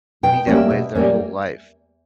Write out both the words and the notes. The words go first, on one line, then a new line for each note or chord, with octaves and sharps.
be that way their whole life,
B2 G5
G3 A#3 C#4
E5
B2
G3 A#3 C#4